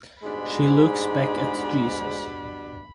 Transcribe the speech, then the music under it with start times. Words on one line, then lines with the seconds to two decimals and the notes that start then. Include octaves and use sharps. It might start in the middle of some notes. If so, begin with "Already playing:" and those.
She looks back at Jesus.
0.23 D2 G#2 B2 G3 G#3 D4 B5